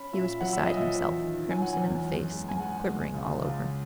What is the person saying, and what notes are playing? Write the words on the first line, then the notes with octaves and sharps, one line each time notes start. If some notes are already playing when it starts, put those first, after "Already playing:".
He was beside himself, crimson in the face and quivering all over.
Already playing: C#4 B5
A#2 E5
F#3 F#5
E5
A#2 D#5
E5
E2
D#3
F#3 G#5
F#5
E2 G#5
F#2
G#3
G#5
G#3 F#5
G#3
C#2
C#2